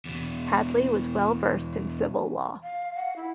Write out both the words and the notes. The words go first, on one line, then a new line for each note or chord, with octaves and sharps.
Hadley was well versed in civil law.
E2 B2
F5
F#5
E4